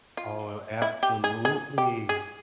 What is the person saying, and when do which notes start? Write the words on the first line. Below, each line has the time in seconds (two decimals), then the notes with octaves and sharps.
Oh, absolutely.
0.17 F4
0.82 E4
1.03 G4
1.24 G#4
1.45 G#4
1.78 G4
2.09 G#4